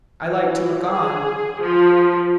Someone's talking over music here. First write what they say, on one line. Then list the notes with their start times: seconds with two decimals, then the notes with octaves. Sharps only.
I like to look on.
0.23 E3
0.84 G#4
1.60 F3